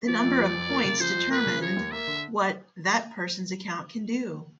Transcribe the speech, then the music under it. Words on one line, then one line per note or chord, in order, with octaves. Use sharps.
The number of points determined what that person's account can do.
F3 D5
F2
F3
F2
A#3
C#3
F3 C5
F2
A#3 B4
C#3
F3 C#5
D#2
A#3 E5
D3